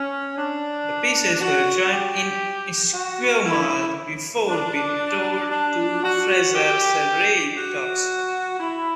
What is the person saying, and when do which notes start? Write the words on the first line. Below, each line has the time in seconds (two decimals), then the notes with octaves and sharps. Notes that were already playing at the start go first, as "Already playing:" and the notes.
The pieces were joined in Esquimalt before being towed to Fraser Surrey Docks.
Already playing: C#4
0.37 D4
1.40 F#4
1.91 G4
2.93 F#4
3.45 E4
4.48 D4
5.50 D4
6.03 F#4
6.54 G4
7.56 F#4
8.59 E4